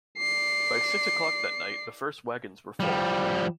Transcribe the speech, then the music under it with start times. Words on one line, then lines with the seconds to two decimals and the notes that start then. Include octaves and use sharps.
By six o'clock that night, the first wagons were full.
0.18 D5 C7
2.80 F3 G3